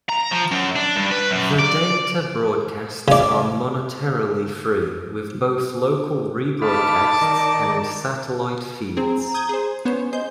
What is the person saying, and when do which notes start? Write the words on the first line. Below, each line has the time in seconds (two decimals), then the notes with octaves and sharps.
The data broadcasts are monetarily free with both local rebroadcasts and satellite feeds.
0.09 A#5
0.31 F3
0.51 F#2
0.76 D4
0.96 G2
1.11 B4
1.31 F#2
1.59 D5
3.08 C#3 D5
6.62 D#4 F5 A5 B5 D6
7.21 D#3 A#4 D5
8.97 C4 G#4 A#5
9.34 D#6 G6 G#6
9.49 G#4 C5
9.85 B3 C#4 C5 C#5
10.13 G#4 C5 D#5 G6